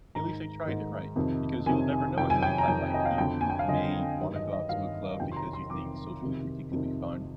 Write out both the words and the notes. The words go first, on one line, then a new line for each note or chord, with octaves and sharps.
At least I tried it, right. Because you'll never know what you might like. You may wanna go out to a club because you think socially drinking could be fun,
G#2 D#3 A#5
G#2 D#3
F2 C3 D#3
F2 C3 D#3 G#5
F2 C3 D#3 G5
G#5
G5
A#5
F2 C3 D#3 G#5
D#5
F5
F2 D3 G5
G#5
G5
F5
F2 D3 D#5
G2 D#3
D#5
D#5
G2 D#3 F5
F2 C3 D#3 G5
C6
A#5
C6
F2 C3 D#3 D6
F2 C3 D#3
F2 C3 D#3